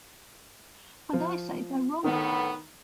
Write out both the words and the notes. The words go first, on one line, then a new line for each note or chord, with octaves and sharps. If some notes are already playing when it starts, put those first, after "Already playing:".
And I say they're wrong.
F3
A2 D3 D#3 B3